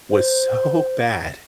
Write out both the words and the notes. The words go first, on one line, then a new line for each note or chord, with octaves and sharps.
was so bad,
C5